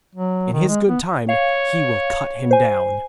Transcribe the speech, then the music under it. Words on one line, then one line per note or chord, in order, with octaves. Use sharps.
In His good time He will cut him down.'
F#3
D#3
G#3
B3
C#5 F5
C5 G#5